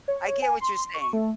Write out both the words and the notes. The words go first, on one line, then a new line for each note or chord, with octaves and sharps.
I get what you're saying.
C#5
G#5
C6
C#6
A3